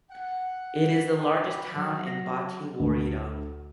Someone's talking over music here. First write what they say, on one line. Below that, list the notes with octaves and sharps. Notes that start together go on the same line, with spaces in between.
It is the largest town in Bati woreda.
F#5
A2 C3 C#4 E4 G4 B4
F#3
A#6
D2